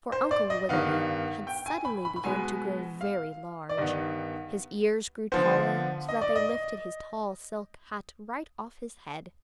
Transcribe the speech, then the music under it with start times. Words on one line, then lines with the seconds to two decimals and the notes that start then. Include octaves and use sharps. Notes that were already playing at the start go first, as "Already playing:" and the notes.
For Uncle Wiggily had suddenly begun to grow very large. His ears grew taller, so that they lifted his tall silk hat right off his head.
0.12 C5
0.31 D5
0.50 D#5
0.69 G2 D#3 B3 F5
1.47 G5
1.66 G#5
1.85 B5
2.05 B5
2.16 B5
2.24 B2 G#3 B3 G#5
3.01 F5
3.69 D5
3.77 G2 D#3 B3 D#5
5.32 D3 F3 B3 C5
6.09 D#5
6.21 D5
6.36 D#5